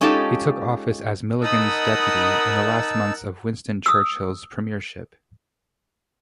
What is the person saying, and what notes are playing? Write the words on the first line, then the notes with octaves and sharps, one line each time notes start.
He took office as Milligan's deputy in the last months of Winston Churchill's premiership.
G#3 C#4 D#4 F4 G4 A4
D#4 A#4 D#5 F#5 A5 B5 D#6 E6
D#6 E6